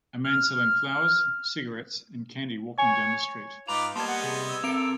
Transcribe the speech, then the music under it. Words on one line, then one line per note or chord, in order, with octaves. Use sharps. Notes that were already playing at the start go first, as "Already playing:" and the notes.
A man selling flowers, cigarettes, and candy walking down the street.
F6
C#5 G#5
G#2 D#4 F4 B4 A#5 D6
G3 A#3 B3 D#5 A5 C6 G#6
F#5
C3 G#4
E6
C4 A4 A#4 D7